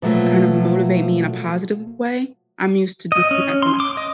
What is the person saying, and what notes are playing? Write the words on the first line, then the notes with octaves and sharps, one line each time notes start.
kind of motivate me in a positive way. I'm used to doing that for my
B2 F3 F#3 A3 A#3
D#5
C#4
C6
D6
D#5